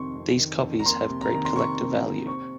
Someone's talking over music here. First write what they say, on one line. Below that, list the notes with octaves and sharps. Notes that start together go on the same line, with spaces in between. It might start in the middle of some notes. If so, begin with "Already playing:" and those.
These copies have great collector value.
Already playing: F2 C3 D#3 C6 C#6
F2
D#3
F2
A#5
A#3 C6
C3
A#5
D#3
C6
C3 C#6
A#3
C3
C4 C#6